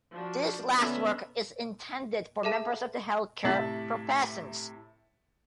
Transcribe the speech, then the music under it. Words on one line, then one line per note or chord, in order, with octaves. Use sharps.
This last work is intended for members of the health care professions.
F3 D4 F#4
D3 B3 C#4 B4 E5 A#5
G#4 A4 E5 A5
A2 C3 E5 A5 A6 F#7